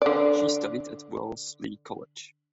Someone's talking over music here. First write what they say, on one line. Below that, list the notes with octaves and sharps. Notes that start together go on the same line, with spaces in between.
She studied at Wellesley College.
D3 D5